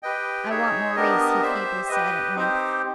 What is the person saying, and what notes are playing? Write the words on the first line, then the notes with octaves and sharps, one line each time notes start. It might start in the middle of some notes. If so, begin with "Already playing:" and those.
"I want Maurice," he feebly said, at length.
G4 B4 D#5 G5
D#4 G#4 C#5 E5
B3 D4 G4 A#4 D#5
G4 C5 E5
G4 B4 D#5
C4 D#4 G4 C5